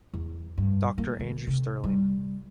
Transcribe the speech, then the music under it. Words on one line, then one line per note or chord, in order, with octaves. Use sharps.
Doctor Andrew Stirling.
E2
G2
A#3
D3
C3
G3